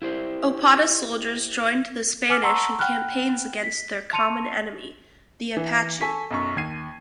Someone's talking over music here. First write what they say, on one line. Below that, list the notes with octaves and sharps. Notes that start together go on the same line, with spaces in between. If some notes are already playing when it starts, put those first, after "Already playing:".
Opata soldiers joined the Spanish in campaigns against their common enemy, the Apache.
E4 G4 C5
B4 G#5 D6 F6
F#5 A5 A#5 C6 C#6 E6
F#5 G5 B5 F6 F#6
B6
A5 C6 C#7 D#7 F7
E3
A4 G#5 C#6 B6
B1 F#2 C#6
D#2 G#6 C7 D#7